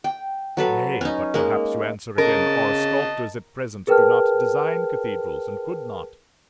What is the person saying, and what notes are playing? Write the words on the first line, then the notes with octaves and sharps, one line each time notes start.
Nay, but perhaps you answer again, our sculptors at present do not design cathedrals, and could not.
G5
F#3 A4 B4
C#4 D#4
G#3 A#3
C#3 A#4 D#5 A5
G#4 A#4 B4 G5 A5 F6